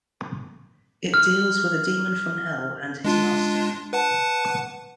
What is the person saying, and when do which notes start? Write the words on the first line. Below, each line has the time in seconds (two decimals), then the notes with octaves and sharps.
It deals with a demon from Hell and his master.
1.14 F6
3.05 G#3 D4 F4
3.93 B4 F#5 A5